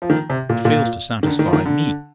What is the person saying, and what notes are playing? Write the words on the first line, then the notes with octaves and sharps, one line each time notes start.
It fails to satisfy Me.
F3
D#3
C3
A#2
A#2
D#3
D3
D#3
F3
D#3
D3